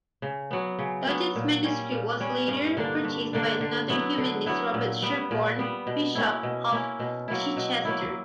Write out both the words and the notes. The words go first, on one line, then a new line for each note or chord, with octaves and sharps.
Doget's manuscript was later purchased by another humanist, Robert Sherborn, Bishop of Chichester.
C#3
F#3 B3
C#3
F#3 B3
A#2
G3 C#4
A#2
G3 C#4
G2
D3 A#3 D4
G2
D3 A#3 D4
D3
F#3 B3 E4
D3
F#3 B3 E4
A#2
G3 B3
A#2
G3 B3
B2
A#3 C#4 E4
B2
A#3 C#4 E4
B2
F#3 A#3 E4
B2
F#3 A#3 E4